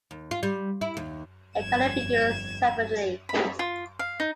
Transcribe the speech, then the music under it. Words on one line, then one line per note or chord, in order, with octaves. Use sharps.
It cannot be used separately.
D#2
F4
G3
E4
D#2
G1 F2 G#6 E7
B5
F4
F5
D#4